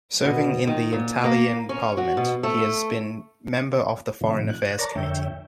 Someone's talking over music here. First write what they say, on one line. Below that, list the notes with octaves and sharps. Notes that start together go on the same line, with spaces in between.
Serving in the Italian Parliament, he has been member of the Foreign Affairs Committee.
B2
D#3
A#2
A#3
C#4
F#4
B2
A3
A2 C3 D#3 F3
F#6
A#4 C#5 D5 A5 A#5
F2 D3 C#5 E5 G5